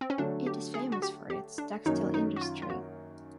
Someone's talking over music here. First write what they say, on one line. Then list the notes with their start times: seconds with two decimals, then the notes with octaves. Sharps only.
It is famous for its textile industry.
0.01 C4
0.10 C#4
0.18 D3 F#3 A3 D4
0.46 G4
0.74 G#4
0.92 F#4
1.02 G4
1.30 G4
1.58 D4
1.86 F#2 D#3 F#3 A#3 C#4 D#4
2.14 D#4
2.36 F#4
2.41 F4
2.62 F4
2.70 F#4